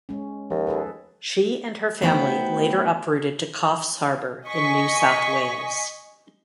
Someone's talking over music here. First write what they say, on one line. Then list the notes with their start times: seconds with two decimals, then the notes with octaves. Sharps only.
She and her family later uprooted to Coffs Harbour in New South Wales.
0.09 G#3 C#4
0.50 D#2 F3
0.67 G#4 A4 B4
2.02 A3 B3 D#4 F#4 C5 G5
4.48 D#5 G#5 C#6 B6